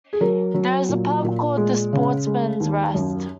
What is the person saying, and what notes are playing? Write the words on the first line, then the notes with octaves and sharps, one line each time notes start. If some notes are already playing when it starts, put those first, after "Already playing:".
There is a pub called "The Sportsman's Rest".
G#4
F#3 A#4
F#3
A#2
A#2
G#3
C#3
G#3
D#2
F#2